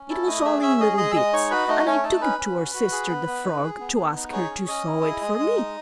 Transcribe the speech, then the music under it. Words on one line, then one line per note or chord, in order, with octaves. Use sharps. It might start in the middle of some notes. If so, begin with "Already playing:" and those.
'It was all in little bits, and I took it to our sister the frog to ask her to sew it for me.
Already playing: C#4
E4 A4 A5
A3 D#5 D#6
G#4 E5 E6
C#4 E5 E6
G#4 D#5 D#6
G#3 D#5 D#6
E6
G#3 D#5 D#6
D#4 C#5 C#6
F#4 B4 B5
A3 D#4 D#5
A3 C#4 C#5
D#4 A4 A5
C#4 B4 B5
C#4
F#4
F#4
G#4
B3
B3
D#4
G#4
B3
B3
D#4
G#4 C#5 C#6
C#4
C#4 D#5 D#6
E4
G#4
G#3
G#3
D#4